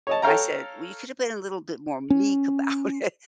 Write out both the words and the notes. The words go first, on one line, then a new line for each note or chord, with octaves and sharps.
I said, "Well, you could have been a little bit more meek about it,"
C#5 D#5 A5
A4 C#5 F5 G5 A#5
C#4